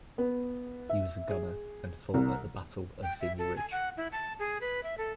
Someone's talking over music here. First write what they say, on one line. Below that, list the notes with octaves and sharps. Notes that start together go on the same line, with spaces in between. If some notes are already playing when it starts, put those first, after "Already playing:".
He was a gunner and fought at the Battle of Vimy Ridge.
B3
E5
G#4
C2
G5
E5
A4
G#5
F#5
E4
A5
G#4
B4
E5
A4